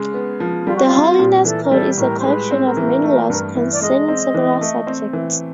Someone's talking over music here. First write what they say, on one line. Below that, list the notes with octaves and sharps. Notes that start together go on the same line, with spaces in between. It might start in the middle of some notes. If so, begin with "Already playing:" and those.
The Holiness Code is a collection of many laws concerning several subjects.
Already playing: C#3 G#3
B3
F3
G3 F4
F#4
F4
C4
A#2
E3 A4
A#4
G3 A4
A2 A#4
C5
G#3 B4
C4
A#4
E3
A3
G2
E3
D5
G#3 D#5
C4
E3
A3
C4
E3